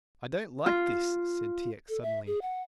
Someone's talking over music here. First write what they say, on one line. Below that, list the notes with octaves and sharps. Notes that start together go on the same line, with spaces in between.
"I don't like this," said T. X., suddenly.
F4
A4
E5
G#4
F#5